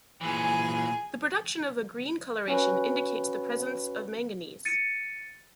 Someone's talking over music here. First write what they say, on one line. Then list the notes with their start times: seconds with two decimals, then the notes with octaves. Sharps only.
The production of a green coloration indicates the presence of Mn.
0.21 A#2 E3 G#4 G#5
2.48 C#4 F#4 B4
4.65 A6 C#7 D#7